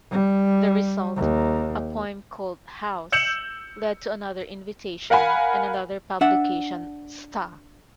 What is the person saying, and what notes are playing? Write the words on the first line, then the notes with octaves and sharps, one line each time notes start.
The result, a poem called "house", led to another invitation and another publication "Sta!".
G3
D#2
E6 G6 C#7 E7 F#7
A#4 F5 F#5 G#5 B5
D4 E5 F#5